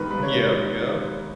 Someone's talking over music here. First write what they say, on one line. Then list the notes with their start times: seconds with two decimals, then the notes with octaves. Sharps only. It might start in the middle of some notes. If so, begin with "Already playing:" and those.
Mhm, yep, yep.
Already playing: G#1 G#2 D#3 G3 A#4 B4
0.11 G3 B4
0.23 C#5
0.34 G#2